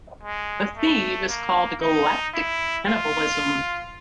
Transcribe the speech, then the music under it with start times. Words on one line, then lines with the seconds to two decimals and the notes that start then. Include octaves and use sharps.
The theme is called "Galactic Cannibalism".
0.23 G#3
0.77 A3
1.29 A#3
1.81 D#4
2.34 E4
2.87 F4